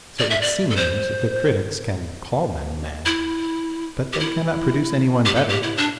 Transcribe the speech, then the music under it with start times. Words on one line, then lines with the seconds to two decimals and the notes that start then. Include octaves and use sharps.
So it seems the critics can call them mad, but they cannot produce any one better.
0.19 D5
0.30 E5
0.41 D5
0.70 A4
0.76 C5
3.06 E4
4.13 G4
4.20 E4
5.25 G4
5.35 A4
5.49 G4
5.63 E4
5.77 D4